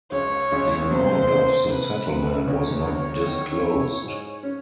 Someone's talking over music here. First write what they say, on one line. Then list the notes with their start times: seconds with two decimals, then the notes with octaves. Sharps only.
The amount of the settlement was not disclosed.
0.12 C#2 C#5
0.52 C#2
0.91 C3 C5
1.30 C#4
1.69 C3 B4
2.08 C3
2.47 D2 C#5
2.86 D2
3.26 D#3
3.65 E4
4.04 G#2
4.43 C#4